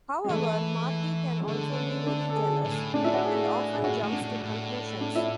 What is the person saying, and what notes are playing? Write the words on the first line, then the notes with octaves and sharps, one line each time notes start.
However, Marty can also be very jealous, and often jumps to conclusions.
G#3
E3 A3
G#3
D3 A3
B3
C#4
D4
A4
G#4
A2
A2 D4
E4
F#4
G#4
G#4
A2 F#4
A2
D4
A2
A2
D4
E4